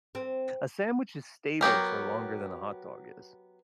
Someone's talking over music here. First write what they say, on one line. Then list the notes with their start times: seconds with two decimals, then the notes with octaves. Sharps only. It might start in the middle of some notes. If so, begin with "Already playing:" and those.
A sandwich is stable for longer than a hot dog is.
0.15 C4
1.61 F#3 B3 G4 A#4